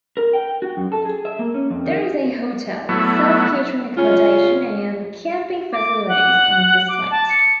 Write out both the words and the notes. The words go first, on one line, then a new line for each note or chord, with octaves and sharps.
There is a hotel, self-catering accommodation and camping facilities on the site.
A#4
G5
F#4
F#2
A4
G#4
E5
A#3
C#4
F2
D#3
F#3 A3 B3 E4
C#3 C#4 F4
D6
F#5
D6
A5
C#7